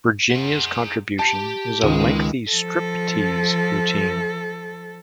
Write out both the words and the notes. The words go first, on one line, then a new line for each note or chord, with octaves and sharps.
Virginia's contribution is a lengthy striptease routine.
G#4 F#5
G4 A5
C#2 D#3 G#3
F3 A4